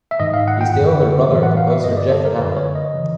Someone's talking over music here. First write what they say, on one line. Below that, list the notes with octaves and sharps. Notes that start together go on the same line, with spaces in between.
He is the older brother of composer Jeff Danna.
E5
G#2 D#3 D#5
F5
F#5
G5
F#2 D3 F#5
A2 E3
F#5
F5
E5
G2 D3 D#5
D5
A4
A#4
F#2 D3 B4
C#5
D#5
C#3 E3